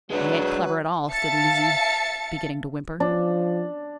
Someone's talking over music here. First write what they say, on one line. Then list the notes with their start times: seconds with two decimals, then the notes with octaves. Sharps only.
"I ain't clever at all," said Lizzie, beginning to whimper.
0.11 F#3 G#3 D4 B4
1.10 E5 F5 A5 A6 C#7
3.00 F3 D4